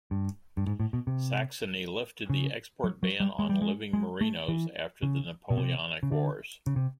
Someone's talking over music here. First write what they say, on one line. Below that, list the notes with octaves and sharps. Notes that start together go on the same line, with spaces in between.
Saxony lifted the export ban on living Merinos after the Napoleonic wars.
G2
G2
G#2
A2
B2
C3
C#3
F#3
F#3
G3
G#3
G3
G#3
G#3
A3
E3
C#3
B2
C3
C#3
D3
C#3
C3